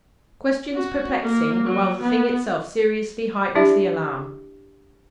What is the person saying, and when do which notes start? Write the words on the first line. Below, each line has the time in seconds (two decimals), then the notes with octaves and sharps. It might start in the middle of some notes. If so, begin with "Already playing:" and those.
Questions perplexing, while the thing itself seriously heightens the alarm.
0.74 F#4
1.23 A#3
1.64 F#3
2.02 B3
3.55 D4 E4 G4 D5 E5